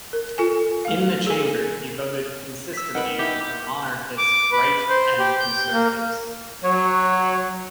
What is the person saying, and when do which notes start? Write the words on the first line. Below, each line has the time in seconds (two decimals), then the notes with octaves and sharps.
In the Chamber, he voted consistently with the monarchist Right and conservatives.
0.13 A#4
0.38 F4 A4 G#5
0.85 A3 F5
1.27 G#4 A4 G#5
2.74 E6 B6
2.95 D#4 A#4 B4 F#5 G5 B5
3.19 E4 G4
4.18 D6
4.52 B4
4.89 C5
5.19 G4
5.40 G6
5.73 A#3
6.64 F#3 C#5